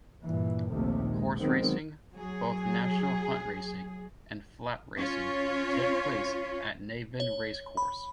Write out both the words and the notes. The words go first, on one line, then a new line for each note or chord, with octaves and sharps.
Horse Racing, both National Hunt racing and Flat racing, take place at Navan Racecourse.
G2 A#2 E3
A#1 D#2 C3 D#3 A3
G#3
D#3 F#3 G#3 B3 C4
F#3 G#4
C#4 F4 C#5
C#5
B5